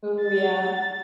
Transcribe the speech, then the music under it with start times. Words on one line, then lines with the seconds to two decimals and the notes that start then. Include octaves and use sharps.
Ooh, yeah.
0.22 A6